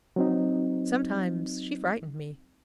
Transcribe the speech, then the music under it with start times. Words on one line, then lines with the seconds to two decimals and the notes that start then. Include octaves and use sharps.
Sometimes she frightened me.
0.16 F#3 C4 D#4